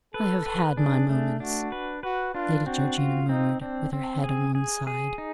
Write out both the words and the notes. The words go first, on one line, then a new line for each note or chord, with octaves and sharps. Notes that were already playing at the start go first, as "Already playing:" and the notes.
'I have had my moments,' Lady Georgina murmured, with her head on one side.
A4 B4
B4
D4 G#4
A3
D4 F#4
B4
F#4 B4
D4 F4
C4 F#4
F4
C4 D#4
C4 D4
C4
G#4
G#4
G#4
D#4